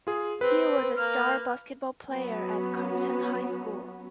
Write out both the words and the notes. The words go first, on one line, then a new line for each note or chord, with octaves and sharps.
He was a star basketball player at Compton High School.
F4 G#4
C4 B4
B4
A#3 F6
F#3 B3 C#4 F#4